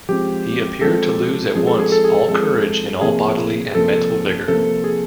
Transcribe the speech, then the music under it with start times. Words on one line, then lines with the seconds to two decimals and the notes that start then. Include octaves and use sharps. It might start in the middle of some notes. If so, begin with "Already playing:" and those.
He appeared to lose at once all courage and all bodily and mental vigour.
0.09 F3 G#3 C4 F4 G4
0.81 F3 G#3 C4 F4 A4
1.55 F3 G#3 C4 F4 G#4
1.67 A4
1.80 G#4
1.92 A4
2.04 G#4
2.28 F3 G#3 C4 F4 A4
3.01 C3 F3 A#3 G#4
3.74 C3 F3 A#3 A4
4.48 C3 F3 A#3 A4
4.84 G#4